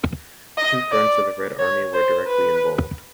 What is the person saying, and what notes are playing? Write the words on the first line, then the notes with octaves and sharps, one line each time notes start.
Two Fronts of the Red Army were directly involved.
D#5
D5
C#5
C5
B4